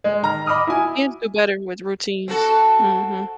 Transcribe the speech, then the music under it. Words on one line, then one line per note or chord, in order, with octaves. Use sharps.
Kids do better with routines. Mhm.
G#3
D#3 A#5 F6
D#5 B5 D6 D#6 F6
E4 F#4 G#5
C4 F#4 A4